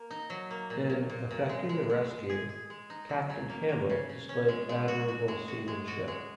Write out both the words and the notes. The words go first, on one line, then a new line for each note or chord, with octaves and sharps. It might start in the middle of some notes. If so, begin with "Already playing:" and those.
In effecting the rescue, Captain Hamlet displayed admirable seamanship.
Already playing: A#3
D#4
F#3
A#3
A#2
A#2
A#2
A#2
G#3
G#3
G#3
G#3
G#4
G#4
G#3
D#4
F#3
C#3
A#3
A#3
C#3
C#3
C#4
G#3
G#3
F#4
F#4
G#3
F#4
G#3
F#4
G#3